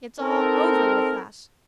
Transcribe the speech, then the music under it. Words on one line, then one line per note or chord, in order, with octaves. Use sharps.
It's all over with us.
C4 D#4 A4 A#4